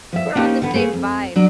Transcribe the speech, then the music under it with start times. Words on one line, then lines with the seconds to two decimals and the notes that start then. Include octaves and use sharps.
We're on the same vibe.
0.13 F3 E5
0.35 A#3 B3 C#4 D#4 G4 C5
0.62 D3 B3
0.74 A3 A#3 G#4
0.93 F2
1.36 F#3 D4 D5